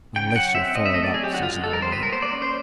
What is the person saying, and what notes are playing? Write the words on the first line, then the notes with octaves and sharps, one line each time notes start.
'Unless you're followed up,' says the old man.
C#3 G5
G5
F#3 F#5
C4 E5
C4 D#5
E5
A3 D#5
D5
F#3 G#4
G4
D3 F#4
F4
G#3
A4
G3 A#4
C5
B3 B4
A#4
A#3 C5
D5
C#4
C5